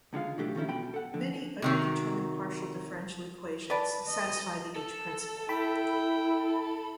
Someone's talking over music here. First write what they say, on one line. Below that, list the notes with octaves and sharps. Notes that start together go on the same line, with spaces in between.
Many underdetermined partial differential equations satisfy the h-principle.
C#2 D3 G#3 F4 F5
B2 E3 F#3 A3 D4 G4
D#3 F3 A3 C4 C#4 E4
B1 B2 G5 B5
A4 F#5
D3 F3
C3 D#3 F#3
B4 D5 A5
D#5
A4
E4 G5 B5